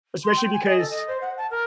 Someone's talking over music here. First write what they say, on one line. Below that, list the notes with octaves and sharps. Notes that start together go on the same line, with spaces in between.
especially because,
C6
G5
G#5
D#5
A4
D#5
C5
F#5
A5
A#4